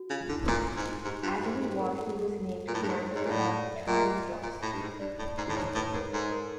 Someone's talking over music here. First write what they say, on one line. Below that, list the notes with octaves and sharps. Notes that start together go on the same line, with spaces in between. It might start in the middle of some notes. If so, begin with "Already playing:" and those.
As a reward, he was named Commander of Chorrillos.
Already playing: F#4
C#3 F4
F4
D3 E4
A#2 F4
G#2
G#2 G4
G2 F4
F#4
G#2
G4
G#4
A#4
A4
A4
A#2
A2 A#4
G2
G#2
C5
G#2 C#5
A#2
A2 D5
E5
A#2 D#5
A#2
A2
G2
G#2
G2 D5
A2
G#2
A2
G#2 C#5
A2 B4
G#2 A#4
G#2 A4
A#4